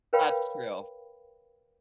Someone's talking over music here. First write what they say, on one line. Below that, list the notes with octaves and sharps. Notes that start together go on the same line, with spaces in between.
That's true.
A#4 B4 C#5 F5 G5 B5